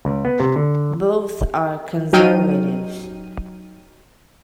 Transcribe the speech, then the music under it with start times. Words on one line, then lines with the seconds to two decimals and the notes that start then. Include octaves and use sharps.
Both are Conservatives.
0.05 C#2
0.25 B3
0.40 C3
0.56 D3
2.13 F#3 D#4 G5 F6 D#7